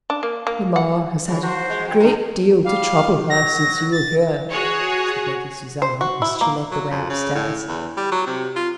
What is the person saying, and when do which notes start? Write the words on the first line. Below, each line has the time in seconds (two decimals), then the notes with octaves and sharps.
"Mamma has had a great deal to trouble her since you were here," said Lady Susanna, as she led the way upstairs.
0.10 D4
0.23 A#3
0.47 A#3
0.76 F#5
1.28 C#3
1.43 F3 F#4 C5
1.70 G#3
1.85 F2
2.00 D3 A#4
2.64 G3 F5
3.30 F#3 A#6
3.92 A6
4.50 F#4 G#4 C#5
5.82 C5
6.01 F#4
6.22 E4
6.41 A#3
6.72 F#3
6.91 F2
7.10 C#3
7.35 A2
7.68 E2
7.97 G3
8.12 F#3
8.27 C3
8.56 F4